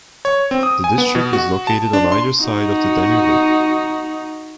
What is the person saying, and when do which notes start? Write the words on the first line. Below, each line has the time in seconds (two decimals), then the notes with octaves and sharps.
The district is located on either side of the Danube.
0.25 C#5
0.51 C4
0.63 D#6
0.84 G#5
0.98 B3
1.15 B2
1.33 F#4
1.67 A5
1.93 D4
2.12 C6
2.42 D#4 F#4